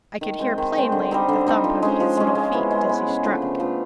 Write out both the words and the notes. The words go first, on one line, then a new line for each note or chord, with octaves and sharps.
I could hear plainly the thump of his little feet as he struck.
D#3
G#3 C4
D#3
G#3 C4
D3
G3 C4 D#4
D3
G3 C4 D#4
F3
G#3 C#4
F3
G#3 C#4
G#3
B3 E4
G#3
B3 E4
C#3
F3 A3 D4
C#3
F3 A3 D4